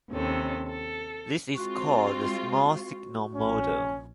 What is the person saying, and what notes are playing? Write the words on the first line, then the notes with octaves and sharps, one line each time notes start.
This is called the "small-signal model".
D#2 C3 C#4 A4
A4
G#3 C4 F4 F#4 C#6
A#1 C#4